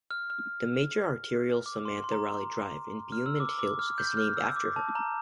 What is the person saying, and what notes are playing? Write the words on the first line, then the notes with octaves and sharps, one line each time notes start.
The major arterial Samantha Riley Drive in Beaumont Hills is named after her.
F6
F6
D6
C6
C6
A#5
C6
F6
E6
D6
D6
F6
G6
F6
E6
D6
A5
A#5